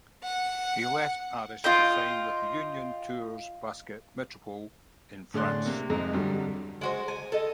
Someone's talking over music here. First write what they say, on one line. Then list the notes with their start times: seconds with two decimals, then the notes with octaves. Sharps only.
He left Aris to sign with Union Tours Basket Metropole in France.
0.23 F#5
1.64 F4 D#5 G5
5.34 A2 D3 G#4 D5 C6 F#6
5.66 C3 A#3
5.90 F2 G#2 C3 G#3 A#5
6.13 G2 D3 F#3 G3
6.81 G#3 F#4 C5
7.08 G#5
7.32 A4 D#5